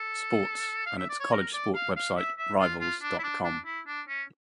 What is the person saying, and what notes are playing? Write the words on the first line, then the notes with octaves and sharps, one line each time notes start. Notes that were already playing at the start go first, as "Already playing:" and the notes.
Sports and its college sports website Rivals dot com.
Already playing: A4
F5
E5
D5
C#5
A#4
D5
F5
F5
E5
E5
F4
F4
D4
E4
D4
D4
E4
D4
C#4